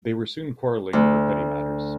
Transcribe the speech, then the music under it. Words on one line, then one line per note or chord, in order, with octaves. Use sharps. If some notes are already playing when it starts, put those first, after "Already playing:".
They were soon quarrelling over petty matters.
D2